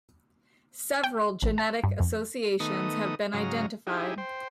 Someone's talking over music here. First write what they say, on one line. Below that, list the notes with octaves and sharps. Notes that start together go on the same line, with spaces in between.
Several genetic associations have been identified.
G5
A1
A5
G2
F2
D#3 A3 B3 D#4 D#6
G#2 C#3 F#3 D#5 F5 A#5
D#4 E4 G4 G#4
C5 G5